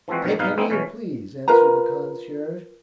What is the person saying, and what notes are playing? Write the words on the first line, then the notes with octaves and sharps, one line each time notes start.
"Take any you please," answered the concierge.
E3 F3 G#3 C4 F#4
G2 B2 D#3 F#3
G#1 B2 D#4 B4 F5
G#3 B3 C4 D#4 E4
B2 E3 C#4
F4 A#4 B4 A#5